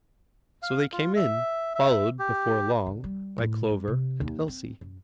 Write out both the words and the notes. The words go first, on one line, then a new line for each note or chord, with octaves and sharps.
So they came in, followed, before long, by Clover and Elsie.
F5
F4
E5
E5
G4
D3
G3
A2
G3
C3
D#2
C4
F#2